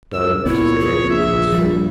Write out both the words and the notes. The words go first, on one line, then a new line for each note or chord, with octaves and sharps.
"Don't!" said Edred crossly.
C#2 A#4 E6
C#2 A#2 B3 E4 C#5
G#4
A#1 E5
F3 G3